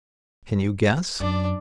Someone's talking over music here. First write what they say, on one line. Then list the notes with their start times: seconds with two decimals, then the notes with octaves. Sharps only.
Can you guess?
1.20 F#2 D4 D5